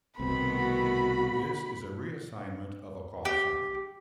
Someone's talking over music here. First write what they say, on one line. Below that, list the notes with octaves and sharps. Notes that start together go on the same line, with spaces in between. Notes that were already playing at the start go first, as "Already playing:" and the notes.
This is a reassignment of a callsign.
C2 B2 D#3 A3 B3 C4 B5
F#4
G4